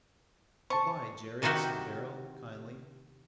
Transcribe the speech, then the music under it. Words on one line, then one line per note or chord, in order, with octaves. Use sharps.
"Good-bye, Jerry," said Beryl, kindly.
C5 A5 C#6
C3 D#3 D#4 E4 F#4 G4